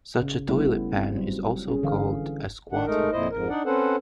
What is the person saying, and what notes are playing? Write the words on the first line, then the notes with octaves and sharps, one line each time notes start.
Such a toilet pan is also called a "squatting pan".
C#3
G3 A3 B3 C#4 E4
C4
F#3 G3
C#4 G#4
D3 E3 F5
D#3 D4 F#5
G#3 A3 D#4 A#4
F2 A#2 E4 C5 D#5
F2 G#2 A#4
D4 D#4 D5 F#5
C4 C#4 A4 B4 C5 F#5